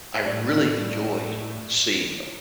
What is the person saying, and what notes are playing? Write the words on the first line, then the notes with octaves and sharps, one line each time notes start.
I really enjoy seeing them.
A2 G3